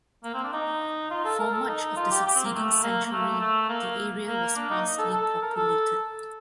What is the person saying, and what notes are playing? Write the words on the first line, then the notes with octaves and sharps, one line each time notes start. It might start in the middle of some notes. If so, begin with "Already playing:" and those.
For much of the succeeding century, the area was sparsely populated.
A#3
C4
D4
D#4
F4
A4
A#4
A4
D#4
F4
G4
G4
C4
A#3
A3
A#3
A#3
A3
A3
A#3
A#3
D4
D#4
A4
A4
A#4
A4